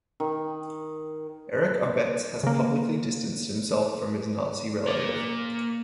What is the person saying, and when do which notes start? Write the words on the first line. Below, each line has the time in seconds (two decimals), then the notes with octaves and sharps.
Eric Abetz has publicly distanced himself from his Nazi relative.
0.20 D#3
2.43 C#3 A#3
4.87 A#3 D5